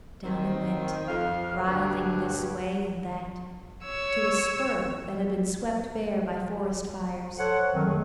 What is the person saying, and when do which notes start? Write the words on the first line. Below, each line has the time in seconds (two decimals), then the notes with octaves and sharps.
Down it went, writhing this way and that to a spur that had been swept bare by forest fires.
0.24 D#3 C4
1.08 F2 F5
1.64 D2 G2 F#4
3.84 C#5 E6
7.38 A4 C5 C#5 F#5
7.74 F2 D#3 F#3
7.86 B2 A3 G#4